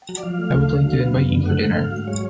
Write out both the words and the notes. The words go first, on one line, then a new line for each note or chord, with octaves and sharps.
I would like to invite you for dinner.
F#3
D5
F3 F5
A3
D2
D3
F#3
B3
F#2
D3
A3 F#5
G#2
G#2 F5
F#3
G#3 C#5